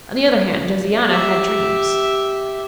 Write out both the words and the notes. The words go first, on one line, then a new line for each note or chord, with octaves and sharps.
On the other hand, Josiana had dreams.
G4 E5